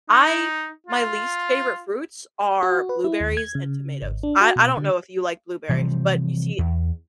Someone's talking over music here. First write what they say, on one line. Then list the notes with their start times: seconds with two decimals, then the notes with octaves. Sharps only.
I my least favorite fruits are blueberries and tomatoes, I I don't know if you like blueberries, but you see
0.10 D#4
0.87 F4
2.63 F#4
2.89 B4
3.04 E4
3.21 D#2
3.37 G#6
3.55 C#3
4.02 G#1
4.23 D4
4.41 F#4
4.56 B2
4.77 D3
5.69 C3 E3 F3 G3
6.58 E2